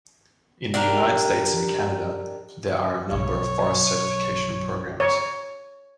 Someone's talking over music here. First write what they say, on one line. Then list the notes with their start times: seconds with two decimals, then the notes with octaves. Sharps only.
In the United States and Canada, there are a number of forest certification programs.
0.74 D4 G4 A#4
3.11 B1 F#3 C#5
5.00 C#5